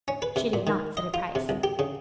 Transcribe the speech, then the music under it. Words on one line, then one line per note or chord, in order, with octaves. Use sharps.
She did not set a price.
C#4
B4
C3
A#2
D#3
D#5
F4
C3
C2
G4
C#3